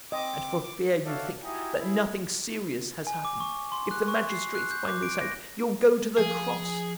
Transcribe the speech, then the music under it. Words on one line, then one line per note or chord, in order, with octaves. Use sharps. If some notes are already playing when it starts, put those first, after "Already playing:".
And for fear you think that nothing serious has happened, if the magistrates find this out you'll go to the cross!
C4 D#5 D6
F#4 A4 C#5 D5 E5 F5
D#4 E4 F#4 G4 G#5 D#6
E4 G#4
G#5
D6
C#6
C6
F#6
C#6
C7
F#6
G6
D6
D7
A#6
F3 G#4